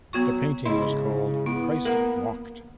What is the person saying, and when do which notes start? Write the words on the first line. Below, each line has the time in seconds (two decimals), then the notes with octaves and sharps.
The painting was called "Christ Mocked".
0.13 F#3 B3 F#4 C#6
0.66 G#2 C#3 E4 C6
1.46 B3 E4
1.85 A#3 A#4 F#5